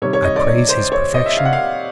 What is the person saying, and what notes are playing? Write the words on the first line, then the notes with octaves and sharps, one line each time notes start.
I praise his perfection.
C3 D#3 G3 C#5
C#5
D#5
D5
C#5
C5
C#5
D#5
E5
F5
F#5
F5